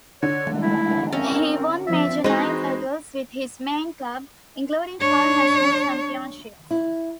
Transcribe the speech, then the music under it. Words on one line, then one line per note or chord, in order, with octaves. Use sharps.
He won major nine titles with his main club, including five national championships.
D3 C#5
D#3 G#3 A3 E4
C4 C#4 A#4
F3 C4 D4 E5
E3 G#3 C4 D#4 F#4 B4
D4 C#5
E4